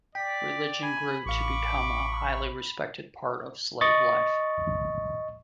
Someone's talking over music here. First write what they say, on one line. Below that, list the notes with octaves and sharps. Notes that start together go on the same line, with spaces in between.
Religion grew to become a highly respected part of slave life.
D5 G5 B6
G#5 B5
A1 F5 C#6 D6
D#5 C#6 A6